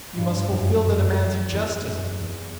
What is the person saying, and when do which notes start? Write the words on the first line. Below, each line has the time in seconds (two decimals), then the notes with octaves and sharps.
You must fulfil the demands of justice.
0.16 G2
0.50 F#2
0.84 F#2
1.52 E2
1.86 F#2
2.19 E2